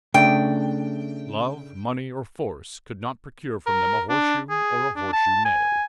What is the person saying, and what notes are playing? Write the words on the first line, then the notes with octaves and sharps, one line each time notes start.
Love, money, or force could not procure from them a horseshoe or a horseshoe nail.
C#3 A3 D4 G5
A#4
D4
G#4
D4
A5
G#5